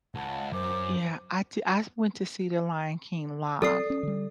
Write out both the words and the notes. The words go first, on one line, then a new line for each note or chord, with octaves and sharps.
Yeah, I did I went to see the Lion King live.
C#2 F#5 A5
F#2 C5 D6
F#3 C4 A4 D5 D#6 C7
C#4
D3 G3